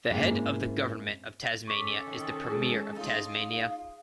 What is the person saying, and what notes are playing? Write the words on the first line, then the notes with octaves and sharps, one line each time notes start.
The head of the Government of Tasmania is the Premier of Tasmania.
G#2 A#3 C4 C#4 E4
C#4 A4 C#6 D6 B6
F#2 C3 D#3
G#3 G#4
D#4 F4 F5